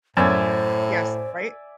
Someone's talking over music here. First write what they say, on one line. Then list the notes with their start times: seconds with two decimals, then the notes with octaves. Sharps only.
Yes, right?
0.17 F#2 A2 C5 D5 E5 G#5